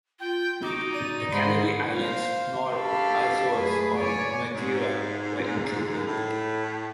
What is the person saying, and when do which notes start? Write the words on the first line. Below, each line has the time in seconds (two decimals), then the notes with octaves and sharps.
The Canary Islands, nor Azores or Madeira were included.
0.20 F4 G5
0.63 D#4 F#4 D6
0.93 D5 D#7
1.31 G#2 B5 C6
1.94 C5 F5
2.74 D4 G4 A4 F5 B5 C#6
3.58 F#2 A3 G#4 B4
3.99 C#5 D5 G#5
4.55 G#2
6.07 A2